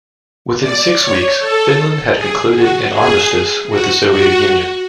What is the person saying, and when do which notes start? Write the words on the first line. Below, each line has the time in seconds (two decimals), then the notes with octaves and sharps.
Within six weeks, Finland had concluded an armistice with the Soviet Union.
0.60 D5
0.99 C#5
1.37 A4
2.14 G#4
2.54 F#4
2.91 G#4
3.69 F#4
4.08 F#4